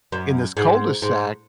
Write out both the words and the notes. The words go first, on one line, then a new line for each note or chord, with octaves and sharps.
in this cul de sac,
F#2
G#2
G#2